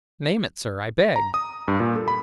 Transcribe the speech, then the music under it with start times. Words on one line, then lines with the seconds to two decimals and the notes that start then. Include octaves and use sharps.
"Name it, sir, I beg."
1.16 A#5
1.34 D#6
1.68 G2
1.80 A#2
1.96 A4
2.08 B5